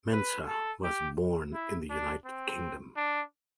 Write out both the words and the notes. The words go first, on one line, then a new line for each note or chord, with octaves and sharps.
Mensah was born in the United Kingdom.
B4
A4
G4
E4
D4
C4
D4